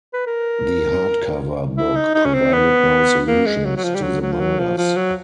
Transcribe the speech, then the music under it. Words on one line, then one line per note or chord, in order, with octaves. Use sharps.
The hardcover book provided no solutions to the murders.
B4
A#4
E4
D#4
D#4
C#4
C4
B3
A#3
G#3
F#3
F#3
F3
G3
F#3
F#3
F3
F#3
F3
F3
F#3